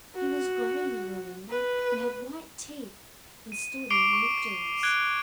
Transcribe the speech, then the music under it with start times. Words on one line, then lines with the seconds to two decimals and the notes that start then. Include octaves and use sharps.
"He was gray, you remember, and had white teeth, and stood and looked at us..."
0.15 F#4
1.50 B4
3.52 D#7
3.90 C#6 D6 C7 D7 F7 G7
4.13 C#6
4.83 F#6 G#6 D7 G7